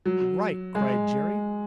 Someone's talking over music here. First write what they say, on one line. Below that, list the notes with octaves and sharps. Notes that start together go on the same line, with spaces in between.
"Right!" cried Jerry.
F#3
G#3